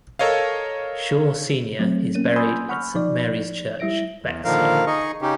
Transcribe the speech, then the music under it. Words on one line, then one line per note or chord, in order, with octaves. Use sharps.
Shaw Senior is buried at Saint Mary's Church, Bexley.
A4 A#4 C#5 D#5 F5
F#3 A3 C4
A#3 C#4 D#7
G#5 B5 C6 D#6 E6 G6
F#5 B5 C#6 F6
F3 D#4 D5
G3 E4 E5 A#6 D7
E2
A#2 D3 D#3 F3 A#4 F5
D#4 G#4 D#5 C#6
C#3 C#4 D#4 G4